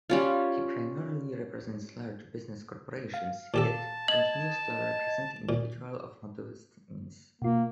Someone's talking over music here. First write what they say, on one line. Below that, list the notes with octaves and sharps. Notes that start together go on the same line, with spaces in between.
He primarily represents large business corporations, yet continues to represent individuals of modest means.
G3 C#4 F4
F5
A#2 G4 A4 A5
D#5 G#6 A6 F#7
A#2
B2 A#3 F4